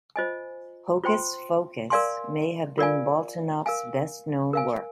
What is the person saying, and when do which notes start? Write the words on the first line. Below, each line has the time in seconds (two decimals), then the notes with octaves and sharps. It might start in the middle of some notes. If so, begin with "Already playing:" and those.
"Hocus-Focus" may have been Boltinoff's best-known work.
0.16 F4 C5 D#5 G#5
1.04 F4 C5 G5 C6
1.90 A#4 D5 F5 G#5 C6
2.78 F4 A#4 D5 F5 G#5
3.66 A#4 F5 G#5
4.53 A#4 F5 G#5